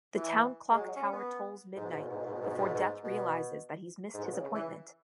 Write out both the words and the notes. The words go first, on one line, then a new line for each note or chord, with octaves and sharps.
The town clock tower tolls midnight before Death realizes that he's missed his appointment.
E3
G#3
F#3
C#4
B3
G#2
B2
G#2
B2
G#2
B2
G#2
B2
G#2
B2
G#2
B2
G#2
B2
G#2
B2
C#3
C#3
E3